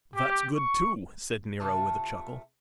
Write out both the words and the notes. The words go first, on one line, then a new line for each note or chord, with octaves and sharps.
"That's good too," said Nero, with a chuckle.
G4
C#6
C3 A3 F4 A5